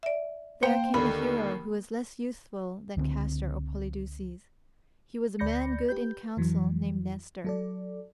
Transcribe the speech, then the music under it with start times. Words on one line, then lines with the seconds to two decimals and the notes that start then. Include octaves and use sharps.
There came a hero who was less youthful than Castor or Polydeuces; he was a man good in council named Nestor.
0.03 D5 E5
0.63 A#3 C5 F5 G5
0.94 D#2 D3 B5
2.97 C#2 D3 E3 C4
5.39 D2 D5 B5 G6 A#6 C#7
5.89 G4 B4 G6
6.37 F2 E3 F#3
7.44 F#3 A4 D5